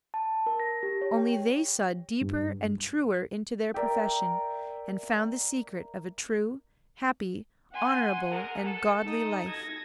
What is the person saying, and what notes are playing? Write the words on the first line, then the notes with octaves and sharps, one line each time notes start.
Only they saw deeper and truer into their profession, and found the secret of a true, happy, honourable and godly life.
A5
A#4
A#6
G4
C#5
G5
G2
A#4 D5 E5 G5
F#5 G#5 C6
G#4 A#4
A4
D#4 D#6
G#6 A#6